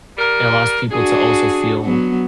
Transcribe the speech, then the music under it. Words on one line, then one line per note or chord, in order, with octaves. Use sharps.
it allows people to also feel
G3 A#4
D4 F#4 G#4
F#3 B3